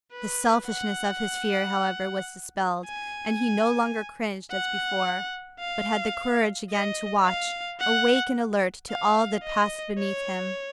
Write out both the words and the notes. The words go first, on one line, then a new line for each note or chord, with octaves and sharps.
The selfishness of his fear, however, was dispelled, and he no longer cringed as before, but had the courage again to watch, awake and alert to all that passed beneath him.
B4
F#5
G#5
F#5
F5
D#5
F5
F#5
F5
D#5
C#5